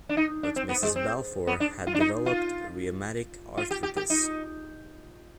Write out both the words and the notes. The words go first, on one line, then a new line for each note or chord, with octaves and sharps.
But Mrs Balfour had developed rheumatic arthritis.
D4
D#4
D4
C4
B3
G#3
C4
B3
D4
F4
D4
D#4
F4
F4
G4
G4
G4
D#4